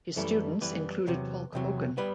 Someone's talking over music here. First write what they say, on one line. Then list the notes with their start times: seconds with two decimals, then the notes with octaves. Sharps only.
His students included Hulk Hogan.
0.16 F#2 E3 G3 A3 A4
0.61 F#2 E3 G3 B3 B4
1.07 E2 C3 F#3
1.53 E2 C3 F#3
1.98 G3 B3 B4